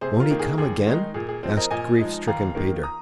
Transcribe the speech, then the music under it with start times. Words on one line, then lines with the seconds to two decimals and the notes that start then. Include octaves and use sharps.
"Won't he come again?" asked grief-stricken Peter.
0.01 C3 G#4 C5
0.20 F4 A#4
0.30 D#3 A#3 D#4
0.39 G#4
0.58 D#2 G#4
0.86 D#3 G#3 D#4
1.14 A#2 G#4
1.29 G#4
1.43 F3 C4
1.57 A#4 D#5
1.71 A#2 D#5 G#5
1.99 F3 G#3 D#4
2.27 D#2 F5 A#5
2.55 D#3 A#3
2.83 A#5 D#6